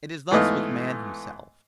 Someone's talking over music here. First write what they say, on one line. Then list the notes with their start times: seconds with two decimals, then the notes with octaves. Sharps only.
It is thus with man himself.
0.31 G#2 E3 A3 B3 D#5 F5